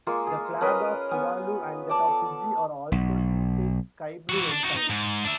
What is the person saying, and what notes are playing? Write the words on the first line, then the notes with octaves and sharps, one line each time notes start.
The flag of Tuvalu and that of Fiji are also defaced sky blue ensigns.
G#3 A#3 F4 C#6
G#4
C#4 A#4 B4 D#5
B3 G#5
D5 A5
A4
B1
E3 F#4
D4
D#4 F#4
D#4
G#2
D4 E5